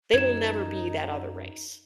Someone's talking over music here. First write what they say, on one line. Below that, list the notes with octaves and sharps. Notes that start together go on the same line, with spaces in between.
they will never be that other race.
F#2 D#4 G#6 E7